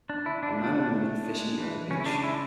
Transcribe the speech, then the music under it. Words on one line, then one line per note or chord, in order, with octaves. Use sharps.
A man and woman fishing at the beach.
D4
D3 E4
D4
D3 D4
A3
G#3
E3
C#3 C#4
E4
D4
G#3 E4